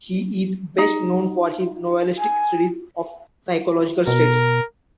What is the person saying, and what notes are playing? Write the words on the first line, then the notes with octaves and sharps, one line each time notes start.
He is best known for his novelistic studies of psychological states.
D#4
G#5
B2 A#4